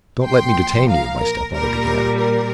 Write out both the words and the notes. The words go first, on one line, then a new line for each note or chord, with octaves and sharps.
"Don't let me detain you," my stepmother began.
A#2 F3 G5 C6
F5 A#5
A#4
A#2 G3 A#4
A#4